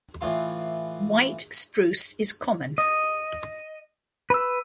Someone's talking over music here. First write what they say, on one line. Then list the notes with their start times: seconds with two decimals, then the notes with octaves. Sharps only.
White Spruce is common.
0.21 A2 E3 F4 C6
2.78 D#5
4.30 B4 E6